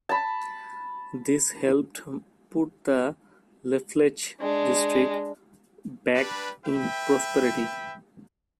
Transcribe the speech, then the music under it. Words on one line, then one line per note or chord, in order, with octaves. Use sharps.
This helped put the Lafleche district back in prosperity.
A5 B5
G#3 D4
G3 D4 B4
B4 E5 G5